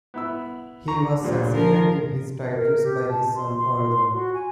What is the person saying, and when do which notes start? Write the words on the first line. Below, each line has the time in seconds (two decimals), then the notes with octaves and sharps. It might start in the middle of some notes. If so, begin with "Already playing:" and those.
He was succeeded in his titles by his son, Arthur.
0.14 B3 E4 E6
0.88 A#5 C#6
1.22 D2 A#2 G3
1.52 F3 A#4
2.54 A#4
2.84 G4
3.08 A5
3.35 C6
3.58 C6
4.13 F#4
4.34 G#5